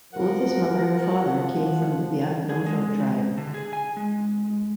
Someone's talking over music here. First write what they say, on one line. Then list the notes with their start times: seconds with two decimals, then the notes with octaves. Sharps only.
Both his mother and father came from the Biak Numfor tribe.
0.13 F3 A#4 F#5
2.49 G#4
2.66 G#3
3.38 D3
3.54 G#4
3.73 G#5
3.97 G#3